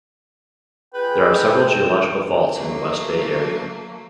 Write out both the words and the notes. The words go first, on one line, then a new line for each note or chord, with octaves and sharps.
There are several geological faults in the West Bay area.
F4 G#4 B4 G5
F#3 A3 A#3